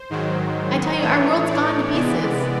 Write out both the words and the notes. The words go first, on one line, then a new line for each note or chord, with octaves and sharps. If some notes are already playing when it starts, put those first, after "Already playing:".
I tell you--our world's gone to pieces.
Already playing: C5
G#2 D#3 F#3
A2 E3 A3 C#5
D5
C3 E3 G#3 B3 D5